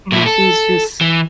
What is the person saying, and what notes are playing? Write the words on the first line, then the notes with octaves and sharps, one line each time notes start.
you know, she's just
A#2 E4
A4
E3